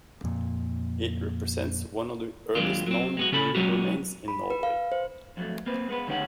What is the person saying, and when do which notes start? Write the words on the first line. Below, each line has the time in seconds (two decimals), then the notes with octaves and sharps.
It represents one of the earliest known human remains in Norway.
0.24 F2 A#2
2.55 D#2 F#3 G#3 D4 F4
2.87 F#3 C4
3.17 G#3 B3 F#4
3.32 C#3 C#4 A4 B5
3.55 F#3 G#3 B3 C#4 F#4 G4
4.28 B5
4.50 B4
4.63 F5
4.92 C5
5.37 F2 F#3 A3
5.66 A#3 C4 B4
5.89 G#3 B3 B4
6.07 D2 D#3 G#3 C#4 G4 F#5